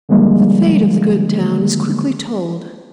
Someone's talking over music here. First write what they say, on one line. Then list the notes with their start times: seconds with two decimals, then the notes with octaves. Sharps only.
The fate of the good town is quickly told.
0.09 D3 D#3 F3 G3 G#3 A#3